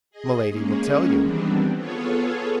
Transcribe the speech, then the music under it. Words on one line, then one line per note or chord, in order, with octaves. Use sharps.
"Milady will tell you."
G#4 D#5
G#3 A#3 C#4 G#4
D#3 E3 G3 B3 C4 D4
B3 F4 G#4 A4 C#5